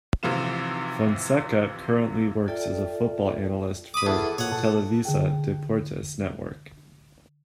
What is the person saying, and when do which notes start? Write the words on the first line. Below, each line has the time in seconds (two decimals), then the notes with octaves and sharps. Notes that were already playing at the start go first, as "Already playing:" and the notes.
Fonseca currently works as a football analyst for Televisa Deportes Network.
0.23 G#1 C3 E3 F3 F4 E7
2.48 F4 A4 D5 E5 G5 A5
3.94 B5 D6 D#6
4.07 E2 A4
4.38 A#2 C#5 F#5
4.52 A4
5.05 D3 G#4 G5